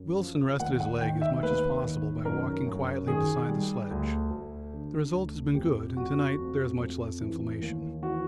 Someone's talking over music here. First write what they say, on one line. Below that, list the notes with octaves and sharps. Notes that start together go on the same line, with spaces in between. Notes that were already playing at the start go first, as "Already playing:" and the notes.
Wilson rested his leg as much as possible by walking quietly beside the sledge; the result has been good, and to-night there is much less inflammation.
Already playing: F#2
F3
D#2 F#5
F#5
D#3 G5
E5
D#2 B4
D#3
F#2 A#4
F#2
D#3 G#4
G3
D2
D2
D3
D2
F2 G4
F3 F#4
F2
F2
E3
D#2
E3 F#4